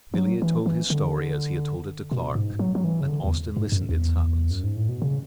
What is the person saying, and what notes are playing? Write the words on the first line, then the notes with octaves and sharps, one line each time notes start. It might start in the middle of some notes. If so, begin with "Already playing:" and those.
Villiers told his story as he had told it to Clarke, and Austin listened in silence.
E3
F#3
E3
E3
D3
B2
G#2
F#3
F#3
E3
C#3
D3
E2
G#2
F#2
E2
F#2
G#2
A2
B2
C#3